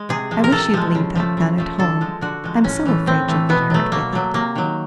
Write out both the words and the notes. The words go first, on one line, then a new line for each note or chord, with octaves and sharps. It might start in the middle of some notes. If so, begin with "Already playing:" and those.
I wish you'd leave that gun at home; I'm so afraid you'll get hurt with it.'
Already playing: G#3
C3 G#4
F3 G#3
A#4
C3 A4
F3 G#3
C#3
F3 A3
C#3
F3 A3
D3 A4
F3 G#3
D3 F#4
F3 G#3
A2 C#4
E3 A3
A2 C4
E3 A3
B2 B3
F#3 A3
B2 A#3
F#3 A3
C3 A#3
D#3 F#3